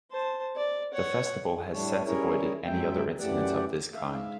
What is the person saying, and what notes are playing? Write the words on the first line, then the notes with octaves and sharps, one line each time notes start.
The festival has since avoided any other incidents of this kind.
C5 A5
D5
C#5 F#5
A2 G3 A3 D4 C#5
G3 C#4 E4 G#4 A#4 C#5
F#2 F#3 G#3 E5 G5
F#2 E3 A3 G4 D5 F#5
G#2 E5 F5